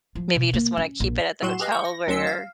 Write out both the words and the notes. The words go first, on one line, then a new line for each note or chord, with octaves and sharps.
maybe you just wanna keep it at the hotel where you're
F3
B2
A#3
C#4
A#1
A2 F#3 F#4 C6 E7
G4 G#4 B4 D#5 F5
C#6 G6
A#6
D2 F#3 C#4 C6 E6 C#7
F5